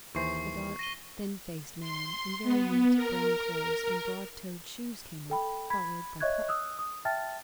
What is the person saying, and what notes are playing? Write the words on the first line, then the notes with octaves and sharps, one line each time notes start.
A dark, thin-faced man in very neat brown clothes and broad-toed shoes came up, followed by Puck.
D#2 E3 C5 C#6 C7
A#6 D#7 G7
C6
B3
A#4
A4 G5 B5
B5 G#6 B6
C#5 D#5 E5 C#6 F#6 G#6
D#6 E6 F#6
D#6
E5 G5 A5 F6 A6